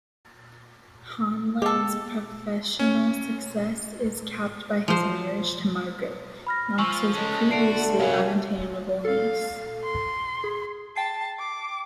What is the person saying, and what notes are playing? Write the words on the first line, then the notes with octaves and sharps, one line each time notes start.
Hanlan's professional success is capped by his marriage to Margaret, Knox's previously unattainable niece.
G#3 G4 A4
C#4
F3 C5
B5 F6 A#6
F3 G#5 C#6 E6
G#3 C#4 A4 D#5
D3 A3 F#4 A4 C7 D7 F7
C2 F#2 F#3 F5 G#5
A4 F5
C6
G#4
G5 A5 C7
D6